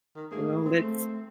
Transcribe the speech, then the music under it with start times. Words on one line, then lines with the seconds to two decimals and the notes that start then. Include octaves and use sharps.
Well, let's
0.16 D#3
0.31 G#2 A3 A#3 G#4
0.65 C4
0.79 A3